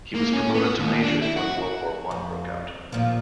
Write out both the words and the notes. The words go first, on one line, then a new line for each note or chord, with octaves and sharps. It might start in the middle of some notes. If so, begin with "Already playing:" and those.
He was promoted to Major when World War One broke out.
A#3
C#4
B3
D#2
D4
E4
F#4
F2
D#2 A#2 F3